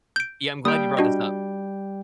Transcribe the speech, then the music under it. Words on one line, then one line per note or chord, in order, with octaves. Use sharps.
Yeah, I'm glad you brought this up.
G6 D7
G3 A#3 G5 D#6
D4 F#4 D#5